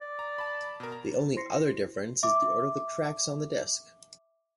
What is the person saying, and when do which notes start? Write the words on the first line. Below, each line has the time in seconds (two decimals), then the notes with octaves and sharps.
The only other difference is the order of the tracks on the disc.
0.01 D5
0.19 A#5
0.38 A5 B5
0.80 B2 A#4
0.92 A#5
1.36 E4 C5 C6 A#6 C7 C#7
2.23 E5 D6